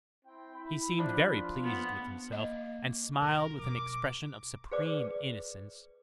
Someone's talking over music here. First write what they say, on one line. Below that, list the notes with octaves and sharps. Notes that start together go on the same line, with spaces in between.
He seemed very pleased with himself, and smiled with an expression of supreme innocence.
C4 E4 G5
E4 B5
F3 D4
F4
B3
A#3 D#5
C3 A#4
B2 D4 D6
G#4 B4 C5 D5 D6